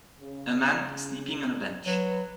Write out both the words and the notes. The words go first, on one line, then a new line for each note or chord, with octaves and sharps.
A man sleeping on a bench.
C#3
F#3 B4